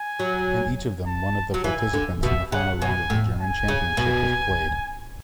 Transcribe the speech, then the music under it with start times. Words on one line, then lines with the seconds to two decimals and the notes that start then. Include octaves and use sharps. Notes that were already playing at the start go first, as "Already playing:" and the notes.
In each of them one of the participants in the final round of the German championship was played.
Already playing: G#5
0.19 F#3
1.07 A5
1.54 F#3
1.64 E3 G#5
1.94 D3
2.23 B2 E5
2.52 C#3 F#5
2.81 B2 G#5
3.10 A2
3.40 G#5
3.68 C#3
3.97 B2